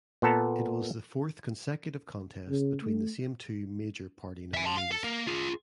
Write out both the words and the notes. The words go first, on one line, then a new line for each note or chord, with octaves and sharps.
It was the fourth consecutive contest between the same two major party nominees.
A#2 B3 A4 A5 A#5
C#3
A3
E5 G#5
A5 C6
F5
A4
A#3 A#4
F4 G#4